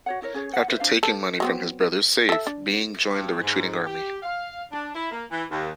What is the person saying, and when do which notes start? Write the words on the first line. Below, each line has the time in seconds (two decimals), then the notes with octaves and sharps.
After taking money from his brother's safe, Bean joined the retreating army.
0.06 F#4 C#5 F#5
0.22 E4 A#4 C#5
0.34 C#4 G#4 C#5
0.52 C5 F#5
0.68 F4 B4 C5 E5
0.80 D4 C5 F5
1.03 A4
1.40 F#3 B3 C4
2.29 A4 E5
2.47 D4
3.12 G2
3.41 G#2
3.86 G4
4.22 F5
4.72 D4
4.94 E4
5.11 A#3
5.31 E3
5.51 D#2